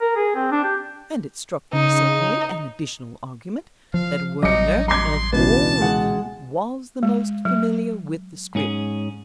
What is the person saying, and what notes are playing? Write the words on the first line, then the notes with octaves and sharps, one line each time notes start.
And it struck me suddenly, an additional argument, that Werner, of all of them, was the most familiar with the script.
A#4
G#4
C4
D4
G4
C#3 D#4
F3 F5
A1 F#3 G3 D#4 D#5 D6 C#7
A#5 C6 D6 G#6
C#2 B2 E3 B4 A5
G#3 F#5
G#3
F#3
G#2 C#4 G#4